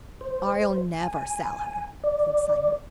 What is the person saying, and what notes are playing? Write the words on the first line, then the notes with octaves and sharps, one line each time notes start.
"I'll never sell her," said Simon.
C5
G#5
D5